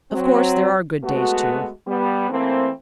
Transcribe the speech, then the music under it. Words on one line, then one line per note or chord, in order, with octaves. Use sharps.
Of course there are good days, too.
F#3 C4
G#3 A3 B3 F#4
G3 B3
E3 A3 A#3 C4